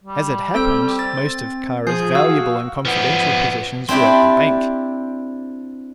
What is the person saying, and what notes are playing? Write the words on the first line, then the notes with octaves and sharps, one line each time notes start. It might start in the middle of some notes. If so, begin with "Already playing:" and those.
As it happened, most of Kara's valuable and confidential possessions were at the bank.
G3
C4 A4 E6 G6
A6
F3 G#4 G#5 G6 C7
F#4 F5 E6
F3 B3
C4 D4 E4 G4 D5